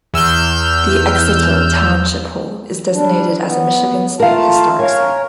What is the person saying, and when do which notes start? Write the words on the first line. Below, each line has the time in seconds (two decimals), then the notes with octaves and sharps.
The Exeter Township Hall is designated as a Michigan State Historic Site.
0.14 E2 E6 F6 G6
2.94 G3 D4
3.43 B3
4.20 A3 F4 A#4 F5 A5
4.79 A#4 C#5 F5 G#5